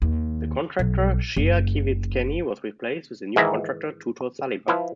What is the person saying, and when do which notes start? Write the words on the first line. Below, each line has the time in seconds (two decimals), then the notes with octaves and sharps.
The contractor, Shea-Kiewit-Kenny, was replaced with a new contractor, Tutor Saliba.
0.02 D#2
0.79 B1
1.36 F#1
3.36 G#2 D#3 E3 G#4 E5 A#5
4.68 F3 E4 B4 F5